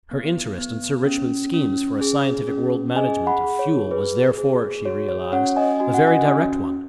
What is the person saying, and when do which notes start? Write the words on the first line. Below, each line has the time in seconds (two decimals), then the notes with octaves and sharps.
Her interest in Sir Richmond's schemes for a scientific world management of fuel was therefore, she realized, a very direct one.
0.11 B3
0.58 B3
1.05 C#4
1.53 C#4
2.01 G#4
2.49 C#4
2.95 G#4 D#5 G#5
3.27 F#5 B5
3.43 G#4
3.59 C#5
3.91 G#4 B4
4.38 G#4
4.85 F#4 C#5
5.09 C#5
5.32 C#4 C#5 F#5
5.56 D#5 G#5
5.80 F#4 G#5
5.94 F#5
6.07 D#5 G#5
6.28 C#4